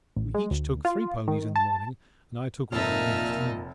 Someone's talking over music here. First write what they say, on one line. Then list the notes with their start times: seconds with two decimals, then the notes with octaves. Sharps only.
We each took three ponies in the morning, and I took one in the afternoon.
0.16 A1
0.34 G#3
0.51 D2
0.85 F4
1.28 D#3
1.56 A5
2.72 F1 A#2 D#4 E5 A5 F6